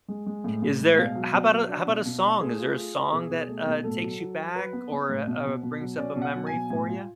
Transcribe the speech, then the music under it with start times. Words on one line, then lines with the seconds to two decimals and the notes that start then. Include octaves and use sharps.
is there how 'bout a how 'bout a song? Is there a song that, uh, takes you back or, u uh, brings up a memory for ya?
0.08 G#3
0.26 G#3
0.44 A2
0.62 A2
0.80 G#3
0.98 B2 F5
1.15 F#3
1.33 B2
1.51 F#3
1.69 D4
1.87 B2
2.05 B2
2.23 D4
2.40 A3 G#4
2.58 F4
2.77 F4
2.94 F4
3.12 B2 G#4
3.30 B2
3.48 A3
3.66 B2
3.84 A2 A4
4.02 F#3
4.20 F#3
4.37 F#3
4.55 F#3 B4
4.73 B3
4.91 B3
5.09 A2
5.27 B2
5.45 B2
5.63 B2
5.81 F#3
5.98 C#4 D5
6.16 B2
6.22 F#5
6.34 F#3
6.47 G#5
6.52 B2
6.70 A2 G#5
6.87 F4